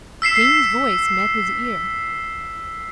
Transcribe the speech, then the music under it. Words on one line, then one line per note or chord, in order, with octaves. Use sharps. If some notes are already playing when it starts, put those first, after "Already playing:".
Jane's voice met his ear.
E6 B6 C7 E7